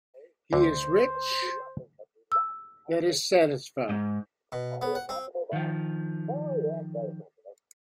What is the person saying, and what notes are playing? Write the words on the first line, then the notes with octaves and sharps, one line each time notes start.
He is rich that is satisfied.
D2 D3 C5
E6
G#2
B2
B3
F#5
C4
D#3 F3